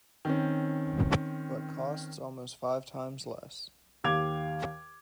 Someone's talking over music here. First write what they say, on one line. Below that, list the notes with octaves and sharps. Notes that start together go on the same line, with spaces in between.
But costs almost five times less.
D#3 C4 C#4
D#2 G4 F5 D6 G#6 F7